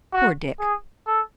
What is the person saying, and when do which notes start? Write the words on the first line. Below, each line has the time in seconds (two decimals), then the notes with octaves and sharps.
Poor Dick!
0.13 F#4
0.59 G#4
1.06 A4